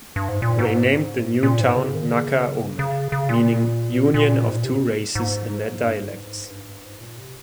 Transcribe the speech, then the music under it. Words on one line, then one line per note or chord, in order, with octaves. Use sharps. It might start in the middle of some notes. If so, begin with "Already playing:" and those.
They named the new town "Naca-Ome", meaning "union of two races" in their dialects.
G2
G#2
A#2
G#2
A#2
G#2
C#3
D#3
C#3
C#3
C#3
A#2
A#2
G#2
A#2
C3
G#2
G2
G#2
G2
G#2
A#2
C3